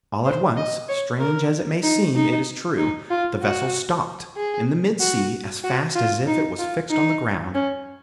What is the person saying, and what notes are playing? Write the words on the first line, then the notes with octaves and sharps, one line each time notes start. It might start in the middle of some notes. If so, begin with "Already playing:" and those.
All at once--strange as it may seem, it is true,--the vessel stopped, in the mid sea, as fast as if it was fixed on the ground.
C5
D#5
C#5
A#4
D#4
D#4
D#4
F4
F#4
G#4
F#4
F#4
F4
D#4
F4
D#4
C#4